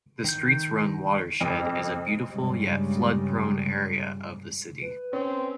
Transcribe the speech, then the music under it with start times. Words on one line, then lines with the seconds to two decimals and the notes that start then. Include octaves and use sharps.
The Streets Run watershed is a beautiful yet flood-prone area of the city.
0.24 D#3 G6
1.41 F2
2.30 G2 C#3 G3 G#3
4.82 B4
5.13 C4 C#4